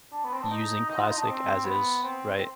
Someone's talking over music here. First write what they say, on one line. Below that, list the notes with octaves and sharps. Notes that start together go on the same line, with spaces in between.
using plastic as is, right?
D4
B3
C4
D4
D#4
D#4
F4
D#4
D4
C4
B3
C4
C4